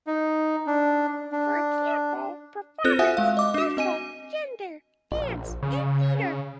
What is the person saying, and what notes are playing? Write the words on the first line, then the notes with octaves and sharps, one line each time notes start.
For example: performance, social, gender, dance, and theater.
D#4
D4
D4
C4 F4 A4 C5 F#6 A#6
F4 F#4 E5 F#5 G#5 D#6
G#3 F5
D#5 D6
D4 F#4
C4 D#5 G#5 D#7
A#1
C#3